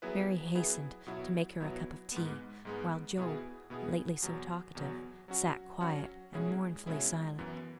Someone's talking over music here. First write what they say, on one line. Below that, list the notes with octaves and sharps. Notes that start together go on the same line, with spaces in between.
Mary hastened to make her a cup of tea; while Job, lately so talkative, sat quiet and mournfully silent.
F#3 B3 E4 G#4 B4
F#3 B3 E4 G#4 B4
B2 F#3 B3 E4
B2 F#3 B3 E4
G#2 G#3 B3
G#2 G#3 B3
B2 B3 E4 G#4
B2 B3 E4 G#4
E2 B2 F#3
E2 B2 F#3
F#3 C#4 F#4
F#3 C#4 F#4
B2 G#3 C#4 E4 G#4
B2 G#3 C#4 E4 G#4
F#2 E3 B3